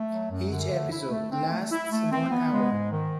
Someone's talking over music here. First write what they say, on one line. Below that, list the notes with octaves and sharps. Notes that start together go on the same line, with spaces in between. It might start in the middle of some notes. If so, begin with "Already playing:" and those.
Each episode lasts one hour.
Already playing: A3
F#3
F#2
D3
A3
E4
A3
C4
A3
E4
A3
C4
B3
G#3
G#2
D#3